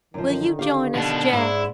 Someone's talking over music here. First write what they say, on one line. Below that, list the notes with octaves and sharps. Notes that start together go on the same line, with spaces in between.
"Will you join us, Jack?"
F#2 D3 D#3 F3
G4 F5
B2 D4
G#2 C#4 D4 E4 G#4